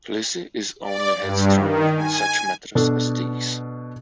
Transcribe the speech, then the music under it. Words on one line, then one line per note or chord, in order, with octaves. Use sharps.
Lizzy is only headstrong in such matters as these.
D5
G2
D#3
G#5
B2 D4 A4